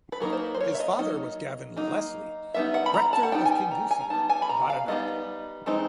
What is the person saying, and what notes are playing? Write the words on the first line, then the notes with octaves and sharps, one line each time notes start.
His father was Gavin Lesley, rector of Kingussie, Badenoch.
B4
F#3 A#3 D#4 A#4
C5
B4
C5
C#5
E5
D#5
F#3 A#3 D#4 D#5
F#3 A#3 D#4
G3 B3 D#4 E5
F#5
B5
A#5
A5
F#5
G3 B3 D#4 G5
G#5
G5
A#5
G#5
A#5
G3 B3 D#4 A5
G#5
B5
A#5
F5
G3 B3 D#4 D#5
E3 G#3 C4 D#4